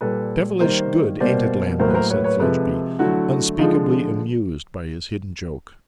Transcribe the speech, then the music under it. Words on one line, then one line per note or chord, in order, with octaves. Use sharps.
'Devilish good, ain't it, Lammle?' said Fledgeby, unspeakably amused by his hidden joke.
A#2 G3 A#3 A4 B4
D#3 G3 A#3 A#4 C5
B2 G3 A#3 C5 D5
A2 F#3 A#3 A#4 C5
B4
A#4 C5
B4 C#5
B4 C#5
C3 F3 G#3 A4 B4
D3 F#3 A3 E4 F#4
D3 F3 G#3 D#4 F4